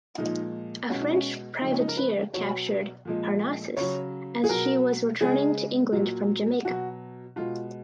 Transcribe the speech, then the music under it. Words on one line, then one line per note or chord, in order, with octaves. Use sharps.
A French privateer captured "Parnassus" as she was returning to England from Jamaica.
A#2 F3 G#3 D#4
B2 G#3 C#4
D#4
C#4
C#3 F3 G#3 D#4
C#4
D#4
A#4
B4
B2 F#3 C#5
A#2 F3 G#3
C#3 F#3 C#5
G#4
B2 F#3 A#4
C#3 G#3 G#4
A#2 F#3
B2 F#3 F#4
B2 G#3 F4